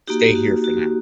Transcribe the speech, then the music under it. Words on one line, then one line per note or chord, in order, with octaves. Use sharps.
Stay here for now.
A#3 D#4 F#4 G4
F#4
F#4